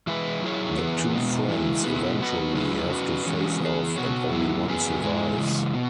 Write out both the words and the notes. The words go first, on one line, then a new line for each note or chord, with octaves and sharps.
The two friends eventually have to face-off and only one survives.
E3 G#3 E4 B4
F#3 E4 G#4 C#5
E3 B3 G#4 B4
B2 G#3 B3
E3 G#3 E4
B2 B3 E4 G#4 B4
F#3 B3 F#4 B4
C#3 F#3 E4 G#4 B4
F#3 C#4 F#4 B4
E3 G#3 C#4 F#4
E3 B3 G#4
B2 B3 F#4 C#5
F#3 B3 E4 G#4
F#2 F#3 B3 G#4
G#2 G#3 E4 G#4
C#3 E3 G#3
B2 B3